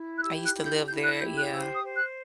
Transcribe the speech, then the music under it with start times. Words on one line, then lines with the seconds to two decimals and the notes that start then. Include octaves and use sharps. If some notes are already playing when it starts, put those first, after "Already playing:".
I used to live there, yeah.
Already playing: E4
0.16 F#6
0.23 G4 E6
0.45 F#6
0.55 E4
0.66 G6
0.88 E4 G6
1.04 F#6
1.20 G4 G6
1.36 F#6
1.52 C5 E6
1.74 D#6
1.85 C5
1.96 F#6